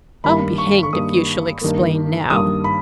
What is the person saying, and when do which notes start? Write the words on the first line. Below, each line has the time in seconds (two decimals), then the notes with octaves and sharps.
I'll be hanged if you shall explain now.
0.24 G2 D#3 G3 A#3 B5
0.58 C#6
0.83 C#6
0.93 G2 D#3 G3 A#3 D#6
1.61 G2 D#3 G3 A#3
2.30 G2 D#3 G3 A#3 D#6
2.64 B5